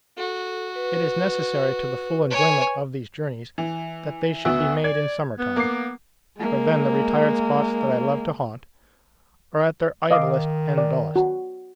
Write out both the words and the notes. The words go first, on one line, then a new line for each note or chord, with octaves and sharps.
It is necessary to the full enjoyment of these journeys that they should be made in summer-time, for then the retired spots that I love to haunt, are at their idlest and dullest.
F#4 A4
B4
C#5 G#5
E3
D2 B3 F#4 E5
D5 G#6
B3
A#3 D6 C7
G#3 A#3
D#3 D#5 F5 D6
D5
F#4